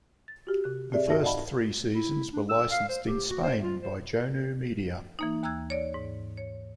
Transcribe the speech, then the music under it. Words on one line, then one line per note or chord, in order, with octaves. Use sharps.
The first three seasons were licensed in Spain by Jonu Media.
A6
F#4 G4
C3 F#6
C4 G4 G#4 D5 E5
G2 D#4 F#4 E5 A5 A#6
D5 D#5 F5 F#5 A5 B5
E4
D4
E6
F5
C5
G4
F#4
C5
F4
C5
E3 A#3 D#4
D#2 A#5 E6 F#6 G#6
C#5 D5
G#2
C#5